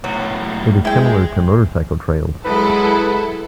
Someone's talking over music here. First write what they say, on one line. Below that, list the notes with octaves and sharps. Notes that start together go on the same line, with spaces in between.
It is similar to motorcycle trials.
B1 A2 F#3
G#3 E4 G5
F#3 G#3 E4 A4 B4